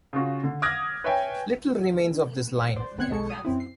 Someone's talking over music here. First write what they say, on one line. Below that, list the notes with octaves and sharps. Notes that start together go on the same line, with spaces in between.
Little remains of this line.
C#3 F4 F#4
D3
D6 D#6 F6 F#6 G#6 A#6
B4 C#5 E5 G5 G#5
C5 D5
G1 B3 C4 F#6 G#6 C#7
B1 G#3 A4 C#6 C#7
D#6
F#2 C4 E4
C7